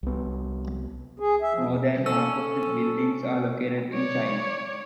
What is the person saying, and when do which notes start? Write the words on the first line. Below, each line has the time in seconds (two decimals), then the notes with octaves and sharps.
More than half of the buildings are located in China.
0.03 C2 B3
1.20 G#4
1.42 E5
1.54 F3
1.65 E2
2.06 C#4 A4 E6
3.93 C#5 D5